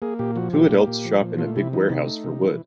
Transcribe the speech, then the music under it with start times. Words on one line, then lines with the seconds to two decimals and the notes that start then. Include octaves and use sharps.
Two adults shop in a big warehouse for wood.
0.02 A#3 G#4
0.19 A#2 G4
0.36 F3 F#4
0.53 A#2 G4
0.70 A#3
0.87 A#2
1.05 F3
1.21 A#2
1.39 A3 F4
1.56 C3 E4
1.73 E3 D#4
1.90 C3 D#4
2.07 A3
2.24 C3
2.42 E3